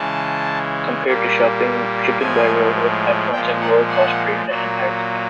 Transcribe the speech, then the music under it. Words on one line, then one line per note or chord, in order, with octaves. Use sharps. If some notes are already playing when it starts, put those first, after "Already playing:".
Compared to shipping by railroad, pipelines have lower cost per unit and higher capacity.
Already playing: C#3 E3 G#3 A5
A#2 G3 A#3
A2 F3 G#3 G#5
A#2 F3 G#3 G5
F#5
F#5
A#2 F#3 A#3